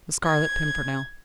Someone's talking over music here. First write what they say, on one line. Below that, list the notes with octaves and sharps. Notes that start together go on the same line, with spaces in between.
The Scarlet Pimpernel.
G#6